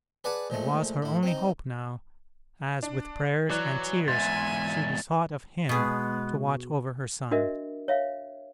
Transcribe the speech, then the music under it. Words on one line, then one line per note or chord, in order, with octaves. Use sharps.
It was her only hope now, as with prayers and tears she besought of Him to watch over her son.
G#4 B4 D5 F#5 G#5 A5
A#2 F3 G#3 A3
A2 E4
C4 D#4
D4
E3 F#3 D5 F#6
E2 G#2 E5 G#5 C6 A6
B2 G#3 B3 G#4
D4 F#4 A#4 D#5 E5
C#5 E5 F5